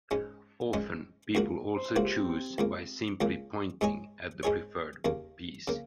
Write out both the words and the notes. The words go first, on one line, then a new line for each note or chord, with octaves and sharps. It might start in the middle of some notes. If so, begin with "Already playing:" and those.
Often people also choose by simply pointing at the preferred piece.
G#2 G#3 C#4
G#2 G#3 C#4
C#2 C#3 A#3 F#4
C#2 C#3 A#3 F#4
C#2 C#3 A#3
C#2 C#3 A#3
G#2 G#3 D#4 G#4 C#5
G#2 G#3 D#4 G#4 C#5
D#2 C#3 A#3
C#3 A#3